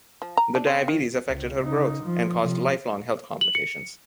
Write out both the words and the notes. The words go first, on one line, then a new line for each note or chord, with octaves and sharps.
The diabetes affected her growth and caused lifelong health complications.
F3
A#5
D4
C4
D#3
C#2
C#3 D#4
F3
C3 F3
F#7
C#7